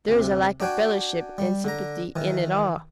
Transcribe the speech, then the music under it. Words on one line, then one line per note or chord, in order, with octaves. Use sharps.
There is a lack of fellowship and sympathy in it all.
D2 C3
D4 F#4 G5 G#5
G3
D3 A#5
D#3 E3